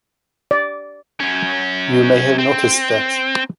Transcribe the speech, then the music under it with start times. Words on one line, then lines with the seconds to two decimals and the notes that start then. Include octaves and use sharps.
You may have noticed that.
0.51 D5
1.20 F#2 C#4
2.38 C4